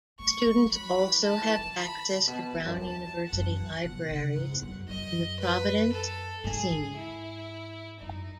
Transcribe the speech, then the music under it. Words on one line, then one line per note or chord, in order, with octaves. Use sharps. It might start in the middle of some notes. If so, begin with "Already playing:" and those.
Students also have access to Brown University libraries and the Providence Athenaeum.
A3 C#6
G#3
G#3
F#3 B5
E3
D#3 A5
E3
D#3
B5
A2
B2 A5
E2
F#2
E2 A5
F#2 F#5
B2
C#3
G#2
E2
F#2
F#2 D#5
B4
A4
G#2 G#4
G#2
E4
F#2 D#4